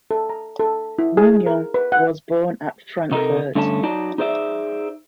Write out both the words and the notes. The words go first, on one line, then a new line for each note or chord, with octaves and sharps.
Mignon was born at Frankfurt.
A4
A#5
A4
E4
G#4
A#4
B4
F#5
C3 D#4 E4 A4 A#4
G2 D3 A3 C#4 G#5 A5
F#3 D#4 D5 A5
D#4 G#4 C5 D5 E5